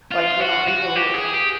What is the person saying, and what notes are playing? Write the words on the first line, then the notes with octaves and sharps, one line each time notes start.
like, you know, people who are
F4
F#4
F#4
G4
G#4
G4